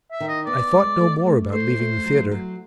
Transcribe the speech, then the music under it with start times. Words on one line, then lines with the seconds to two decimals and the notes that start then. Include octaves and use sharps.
I thought no more about leaving the theatre.
0.11 E5
0.20 D#3
0.28 D#5
0.46 B3 D5
0.73 G#3
0.99 A3
1.26 A3
1.52 A3 C5
1.79 A3
2.06 F#3
2.31 F#3